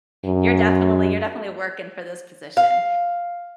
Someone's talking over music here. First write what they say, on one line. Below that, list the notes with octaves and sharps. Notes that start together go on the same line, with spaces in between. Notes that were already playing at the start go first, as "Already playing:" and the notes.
You're definitely you're definitely working for this position.
F#2
F5